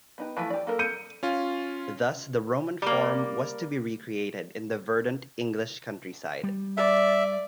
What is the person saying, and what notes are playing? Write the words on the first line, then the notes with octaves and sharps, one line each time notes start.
Thus the Roman Forum was to be recreated in the verdant English countryside.
B3 D#4 G4
E3 F3 A3
G4 D5
A#3 A4 A#4
G6 C#7 D#7
C#4 F4
G3 A#3
G3
D5 E5